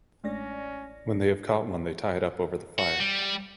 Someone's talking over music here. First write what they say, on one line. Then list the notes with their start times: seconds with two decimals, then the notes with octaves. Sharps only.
When they have caught one they tie it up over the fire.
0.24 A1 G#3 A3 C#4 D4 D5 A#6
2.79 F#4
3.00 G3